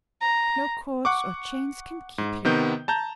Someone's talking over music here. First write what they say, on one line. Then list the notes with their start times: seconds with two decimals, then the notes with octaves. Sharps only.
No cords or chains can keep him.
0.21 A#5
1.05 F#5 C#6 D6
2.18 G#2
2.45 C3 D#3 B3 G6
2.88 A5 A#5 G6